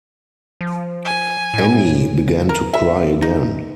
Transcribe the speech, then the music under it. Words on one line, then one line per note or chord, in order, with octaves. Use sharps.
Annie began to cry again.
F3
G#5
A2
A#4
E5
D#4